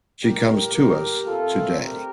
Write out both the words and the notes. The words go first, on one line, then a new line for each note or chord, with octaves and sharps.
She comes to us to-day.
A2 G3 A#3 G4 A#4
G4 A#4
A#2 A3 C4 F4 A4
G4 A#4